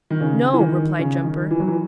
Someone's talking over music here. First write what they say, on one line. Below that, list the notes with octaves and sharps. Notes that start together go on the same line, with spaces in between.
"No," replied Jumper.
D#3
C#3
E3
D#3
C#3
D#3
E3
F#3
E3